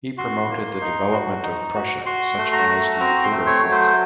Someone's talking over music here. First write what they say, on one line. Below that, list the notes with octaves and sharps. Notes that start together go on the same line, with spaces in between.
He promoted the development of Prussia such as the Oderbruch.
F#4 C6
A#3
D#4
F#4
D#4
F#4
F#4 C6
A3
A#5
F#4
C4 A#5
C6
A3
C#5
F#3
C5